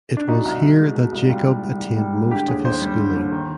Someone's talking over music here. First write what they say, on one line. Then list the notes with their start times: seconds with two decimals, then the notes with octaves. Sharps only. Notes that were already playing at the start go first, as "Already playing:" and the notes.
It was here that Jacob attained most of his schooling.
0.17 D4
0.28 B2 D#4
0.45 C2
0.61 C2
0.79 G#3
0.96 B2
1.12 C2
1.24 D#4
1.29 G3 F4
1.46 G#2
1.63 G3
1.80 G#2
1.97 G3
2.15 G#2
2.31 D3 G4
2.48 D#2 G#4
2.64 D#2 C5
2.82 G3
2.98 D3
3.15 D#2
3.32 D#3